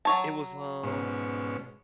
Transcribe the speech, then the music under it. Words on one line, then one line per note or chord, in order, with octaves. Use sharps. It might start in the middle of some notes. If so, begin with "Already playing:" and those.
It was, um
F#3 C#5 A5
G#2 B2 C#4